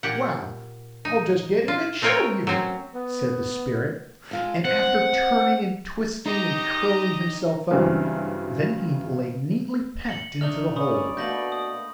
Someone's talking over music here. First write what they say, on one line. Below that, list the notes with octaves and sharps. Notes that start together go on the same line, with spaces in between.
'Well, I'll just get in and show you,' said the spirit, and after turning and twisting, and curling himself up, then he lay neatly packed into the hole.
A#2 G4 F#5
D#4
F4
A3 C4 F4 A#4 C#5 G5
F#3 C4 C#4
B3
G#3 F4 A4
C4 F#5
D#4 G4 D#5 A#5
G2 C#3 E3 F#3 C4
C#7 F#7 G7
A3 D4 D#4 F6 F7 G7
C#4 D5 B5 C#6 D#6
B2 A3 A#3 G6 A#6 F#7
D#6